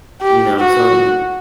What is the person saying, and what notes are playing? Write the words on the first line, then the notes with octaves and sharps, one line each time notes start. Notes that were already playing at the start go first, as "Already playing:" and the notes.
you know, so I'm
G4
F#4